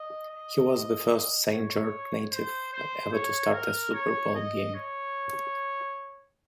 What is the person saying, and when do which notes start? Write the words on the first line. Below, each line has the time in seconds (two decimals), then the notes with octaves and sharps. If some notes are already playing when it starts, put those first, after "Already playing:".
He was the first Saint George native ever to start a Super Bowl game.
Already playing: D#5
0.29 D#5
1.51 C#5
2.32 C5
2.73 C5
3.13 C#5
3.53 A#4
3.94 C#5
4.35 D#5
4.75 C#5